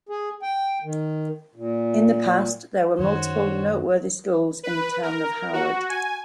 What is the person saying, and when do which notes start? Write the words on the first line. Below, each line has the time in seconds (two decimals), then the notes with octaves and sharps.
In the past there were multiple noteworthy schools in the town of Howard.
0.09 G#4
0.42 G5
0.84 D#3
1.55 A#2
2.99 F#2 D#3 F#4 C5 C#5
4.63 B4
5.03 A#4
5.53 F#4
5.89 G#5